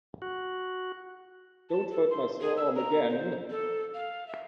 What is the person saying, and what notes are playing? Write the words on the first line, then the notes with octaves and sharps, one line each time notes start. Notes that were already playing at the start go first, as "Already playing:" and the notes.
Don't hurt my sore arm again.
F#4
A5
A4
C6
G#4
E6
A#5
C5
A4
F5
E5